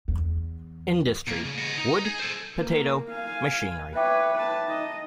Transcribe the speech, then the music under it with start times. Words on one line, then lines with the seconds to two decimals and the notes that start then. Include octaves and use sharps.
Industry: Wood, potato, machinery.
0.08 E2
1.27 B1 A#3
1.44 C#3
1.58 D#5 F#5
1.78 D#4
2.05 G#4
2.19 A4 C5
2.57 A#3
3.11 F5 G#5
3.95 B4 C#5 E5 G5 D6
4.35 B4 A5
4.67 D#4 D#5